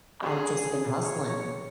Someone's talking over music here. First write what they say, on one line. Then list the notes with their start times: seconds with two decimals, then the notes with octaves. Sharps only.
I've just been hustling
0.22 G#4
1.03 C#5